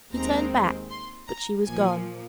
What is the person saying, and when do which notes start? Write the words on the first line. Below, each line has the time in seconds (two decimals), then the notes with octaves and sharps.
He turned back, but she was gone.
0.13 D#2 D#3 G#3 C4 A#5
0.90 C6
1.28 A#5
1.65 A#2 F3 A#3 G#5